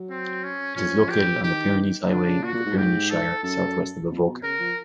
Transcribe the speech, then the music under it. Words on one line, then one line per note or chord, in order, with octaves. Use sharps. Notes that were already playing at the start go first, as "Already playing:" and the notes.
It is located on the Pyrenees Highway in the Pyrenees Shire, south-west of Avoca.
Already playing: F#3
C4
C#4
F3 C#4
G4
D#3 G4
D3 D4
C#3
A#2 F#4
A#2
G#2
G#2 G4
A4
F#2 A4
F2
B2
C#3 A#4
F3